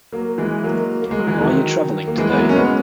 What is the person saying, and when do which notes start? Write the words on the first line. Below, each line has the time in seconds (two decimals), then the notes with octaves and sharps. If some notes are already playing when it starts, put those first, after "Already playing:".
Are you travelling today?
0.12 F#3 A#3
0.38 E3 G#3
0.64 F#3 A#3
1.02 A#3
1.11 G#3
1.19 F#3
1.27 E3 G#3
1.41 D#3 F#3
2.07 A#3
2.18 E3 G#3
2.29 B3
2.37 F#3 A#3
2.49 C#4
2.56 G#3 B3